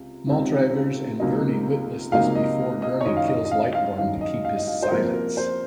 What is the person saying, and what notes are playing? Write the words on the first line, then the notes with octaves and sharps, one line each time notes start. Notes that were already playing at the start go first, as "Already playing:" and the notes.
Maltravers and Gurney witness this before Gurney kills Lightborn to keep his silence.
Already playing: C#2 C3
C#2 C3 D#3
C#2 C3 F#3 A#3 D#4
C#2 C3 F#3 A#3 D#4 F5
D#5
D#5
C#5
F#2 D#3 F#3 D#5
F5
D#5
D#5
F5
F5
F#2 D#3 F#3 F5
D#5
F5
D#5
F5
C5
C3 F3 A#3 A#4
A#4
C5